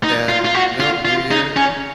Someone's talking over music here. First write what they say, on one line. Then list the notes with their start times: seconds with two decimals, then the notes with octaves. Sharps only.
And, you know, new year,
0.04 D#4
0.29 F4
0.45 F4
0.54 F#4
0.80 F4
1.05 F4
1.31 D#4
1.56 C#4